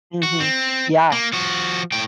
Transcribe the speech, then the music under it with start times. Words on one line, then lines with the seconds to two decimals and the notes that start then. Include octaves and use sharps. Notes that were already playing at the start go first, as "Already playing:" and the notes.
Mhm. Yeah.
0.23 F#4
0.40 C4
1.12 A#3
1.33 F3 F#4
1.92 A2 G5